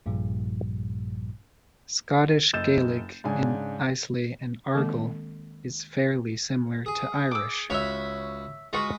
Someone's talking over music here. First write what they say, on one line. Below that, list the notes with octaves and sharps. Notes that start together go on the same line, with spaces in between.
Scottish Gaelic in Islay and Argyll is fairly similar to Irish.
A#1 G2 A#2 F3 G3
F#1 D#5 E6 G6 A6 E7
G#2 C#3 D4 G#5
D#3 G#3 A#3 C4
G#4
D6 E6
C#2 F#4 C#5 E5 B5
G#3 F4 F#4 B4 C#6